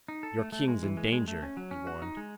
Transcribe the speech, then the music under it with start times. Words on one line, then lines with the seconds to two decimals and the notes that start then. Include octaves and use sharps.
"Your king's in danger," he warned.
0.08 D#4
0.23 A4
0.39 A3
0.52 A3
0.68 G#3
0.83 E3
0.97 G#3
1.12 G#3
1.28 A3
1.43 C#4
1.57 F#3
1.71 C#4
1.87 F#4
2.02 D#4
2.17 G#3